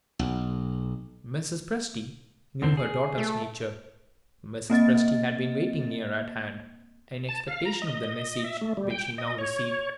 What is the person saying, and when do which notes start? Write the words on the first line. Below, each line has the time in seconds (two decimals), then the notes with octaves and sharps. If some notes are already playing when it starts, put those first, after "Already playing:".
Mrs. Presty knew her daughter's nature; Mrs. Presty had been waiting near at hand, in expectation of the message which she now received.
0.19 B1
2.62 E2 D3 C4
2.77 G#4
3.18 A3
4.70 A#3 C4 D#5 A6
7.29 A5
7.48 F5
7.65 A#5
7.82 D#5
8.45 E5
8.61 A3
8.77 G3
8.90 G5
9.18 D#5
9.38 C#5